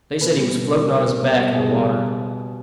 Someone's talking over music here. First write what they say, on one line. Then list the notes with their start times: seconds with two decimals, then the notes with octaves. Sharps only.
They said he was floating on his back in the water.
0.21 B2 B4
0.38 G3
0.55 B2
0.72 G3
0.87 B2 A#4
1.05 G3
1.21 B2
1.38 G3
1.55 B2 G#4
1.71 G3